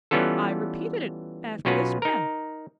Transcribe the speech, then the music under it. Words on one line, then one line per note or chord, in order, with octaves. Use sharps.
'I repeated it, after this man.'
E3 G3 B3 C#4 F4 A4
B1 B2 C#4 F4 F#4 B4
D#4 A#4